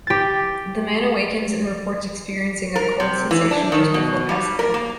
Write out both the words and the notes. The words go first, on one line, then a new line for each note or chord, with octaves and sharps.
The man awakens and reports experiencing a cold sensation just before passing out.
G4 A6
A#4
C3
E3
D4
D#3
B2
G3
A#4
A#3